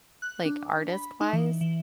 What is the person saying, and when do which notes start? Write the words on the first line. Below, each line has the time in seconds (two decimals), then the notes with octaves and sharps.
Like, artist-wise?
0.22 F#6
0.46 D4
0.89 B5
1.21 D#4
1.33 E3
1.61 E3